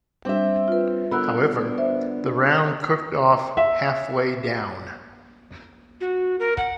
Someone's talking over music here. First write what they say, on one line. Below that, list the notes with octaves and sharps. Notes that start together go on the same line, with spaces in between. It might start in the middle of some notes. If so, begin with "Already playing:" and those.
However, the round cooked off halfway down.
G3 C4 D4 E5
F4 B4
D3 B3 A#4 B5 E6 F#6
C5 E5
E5
F#4
A#4
F#5